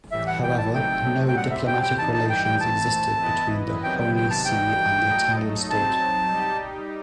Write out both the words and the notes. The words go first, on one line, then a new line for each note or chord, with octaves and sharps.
However, no diplomatic relations existed between the Holy See and the Italian state.
A2 E3 G3 E5
F#5
G5
A5
C3 F#3 A3 D#4 A4 G5
G5
A2 G3 C4 F#5
E5
G5
G5
E3 G3 D#4 A5
A5
G5
G5
E3 A3 C4 A5
E3 B3 E4 B4 D#5
C3 D#3 F#3 B3 G5
G5
G5
A5
G2 E3 G3 D#4 F#4 G5
F#3 A3 D#4 A4 D#5
F#3 C4 D#4 A5
G3 D#4 G4